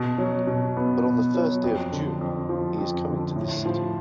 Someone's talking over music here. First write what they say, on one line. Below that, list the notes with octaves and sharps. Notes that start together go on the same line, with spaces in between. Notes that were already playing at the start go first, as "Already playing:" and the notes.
But on the first day of June he is coming to this city.
Already playing: B2
F#3
B2
B3
B2
F#3
F2
D3
F2
F3
F2
D3
A2
F3